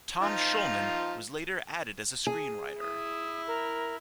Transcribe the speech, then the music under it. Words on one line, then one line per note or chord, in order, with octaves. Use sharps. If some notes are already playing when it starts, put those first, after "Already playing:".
Tom Schulman was later added as a screenwriter.
F3 D#4 F4
G#4
E4 D#6
A#4